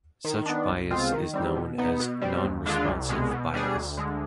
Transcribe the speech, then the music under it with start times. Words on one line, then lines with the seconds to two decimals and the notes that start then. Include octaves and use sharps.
Such bias is known as nonresponse bias.
0.25 D#3
0.46 B3 D4
0.69 C2
0.90 B2 G#3 C4 F4
1.12 D#3
1.34 G3 C4
1.56 B2
1.78 B3 D#4
2.00 B2
2.21 G3 C4
2.44 D#2
2.66 D3 G#3 D4 F4
2.88 C2
3.09 B2 G#3
3.31 B2
3.54 G3 D4 G#4
3.75 D2
3.97 D3 G#3